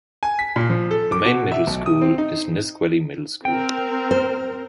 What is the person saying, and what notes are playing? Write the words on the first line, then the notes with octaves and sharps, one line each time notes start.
The main middle school is Nisqually Middle School.
G#5
B6
A#2
F3
A4
D6
B2
E5
B1
D#6
C4
D#4
C4 A#4 G5
C5